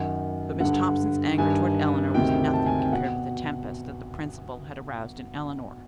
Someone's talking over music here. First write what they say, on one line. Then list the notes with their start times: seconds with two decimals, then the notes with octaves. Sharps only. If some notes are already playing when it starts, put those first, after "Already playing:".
But Miss Thompson's anger toward Eleanor was nothing compared with the tempest that the principal had aroused in Eleanor.
Already playing: F#2 D#3 F#5
0.60 G2 D3 F#5
1.38 G2 D#3 G#5
2.14 D2 C3 D#3 G5
2.53 A5
2.67 G#5
2.79 G5
2.92 B2 F#5